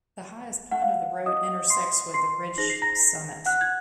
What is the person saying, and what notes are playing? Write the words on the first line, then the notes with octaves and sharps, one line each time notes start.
The highest point of the road intersects with the ridge summit.
F#5
F5
D#5 D#6
C6 C7
C6 C7
D#4 G#4 C5 A#6
C7
A#5 A#6
F#5 F#6
G#6